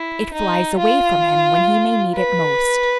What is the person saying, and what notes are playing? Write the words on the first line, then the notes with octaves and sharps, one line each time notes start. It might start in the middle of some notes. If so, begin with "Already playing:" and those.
It flies away from him when he may need it most.
Already playing: E4
D#4
F4
B4